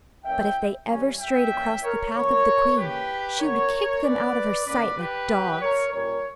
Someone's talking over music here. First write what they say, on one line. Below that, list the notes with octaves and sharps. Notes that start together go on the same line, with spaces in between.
But if they ever strayed across the path of the queen, she would kick them out of her sight like dogs.
E3 A#3 C#4 E5 G5
E3 G3 C#4
E5 G5
E3 A#3 C#4
A#4 C#5
E3 A#3 C#4 A#4 C#5
C#3 E3 A#3 G4 B4
C#3 E3 B3 A#4 C#5
E3 A#3 C#4 B4 D5
D3 A#3 C#4 B4 D5
G4 B4
B2 F#3 C#4
A#4 C#5
A#2 G3 C#4 A#4 C#5